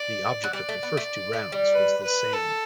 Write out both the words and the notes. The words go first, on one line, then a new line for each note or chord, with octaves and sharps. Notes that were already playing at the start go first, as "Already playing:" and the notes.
The object of the first two rounds was the same.
Already playing: D5
F#3
G3 D5
A3
B3
A3
A3
G3
B4
B4
A4